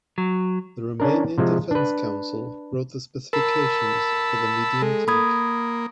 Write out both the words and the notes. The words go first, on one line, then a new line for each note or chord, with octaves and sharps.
The Romanian Defense Council wrote the specifications for the medium tank.
F#3
C#4 D4 A#4
C3 F3 G#3
D4 B4
A#4 A5 B5 E6
G#3 A4
A#3 B5 D#6 G#6